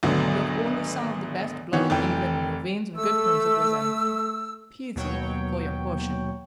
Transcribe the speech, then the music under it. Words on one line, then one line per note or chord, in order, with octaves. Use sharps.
You have only some of the best blood in England in your veins, and good principles and piety for your portion.
G#1 D2 B2 D3 F#3
D#3 E3 B3 F#4 C#5
F1 E3 G5
A3 E6
D#2 B2 F#3 C#5 G5